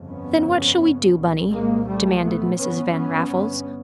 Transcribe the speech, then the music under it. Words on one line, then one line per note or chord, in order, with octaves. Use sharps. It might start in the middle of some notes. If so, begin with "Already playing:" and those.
"Then what shall we do, Bunny?" demanded Mrs. Van Raffles.
Already playing: G1 F2 C#3
B3 C#4
C2 A#2
G#3 A#3
G3 A3
A3 B3
G1 G2 B3 C#4
B3 C#4